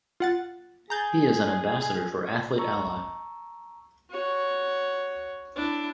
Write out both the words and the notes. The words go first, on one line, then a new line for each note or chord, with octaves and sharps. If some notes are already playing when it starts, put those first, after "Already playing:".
He is an ambassador for Athlete Ally.
F4 F#5 A6
G#4 A#5 G6 A6
A5 A#5 C#6 E6
F#4 C#5
D4 E4